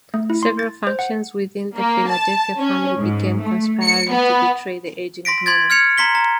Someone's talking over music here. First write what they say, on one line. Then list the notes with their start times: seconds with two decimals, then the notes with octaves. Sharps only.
Several factions within the Philadelphia family began conspiring to betray the aging Bruno.
0.14 A3
0.30 E4
0.43 C6
0.59 A6
0.87 C5
0.99 F#5
1.75 A#3
2.09 A5
2.57 C#4
2.98 G#2
3.42 A3
3.82 C#7
4.11 B3
5.25 C6 A#6 B6 D7
5.46 C6 G#6 A6
5.70 F6 G#6 C#7 F7
5.98 A#5 C6 B6 G7
6.15 A#5